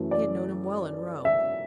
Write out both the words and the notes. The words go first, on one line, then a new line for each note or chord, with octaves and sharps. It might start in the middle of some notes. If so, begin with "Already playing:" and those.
He had known him well in Rome.
Already playing: F#2 E3 A3
D5
E5